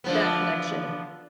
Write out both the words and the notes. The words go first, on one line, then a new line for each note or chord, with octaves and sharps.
that connection,
D3 F3 B3